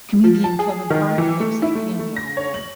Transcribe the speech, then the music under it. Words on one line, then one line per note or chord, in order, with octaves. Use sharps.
Comedian Kevin Hart makes a cameo role.
F3
A5
G#4
D#3
E3
A3
E4
A3
A3
A#6
C#5
F#7